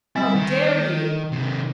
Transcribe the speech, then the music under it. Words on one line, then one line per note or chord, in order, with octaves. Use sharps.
How dare you?
G3 C4 E4
D#3
C3 D#3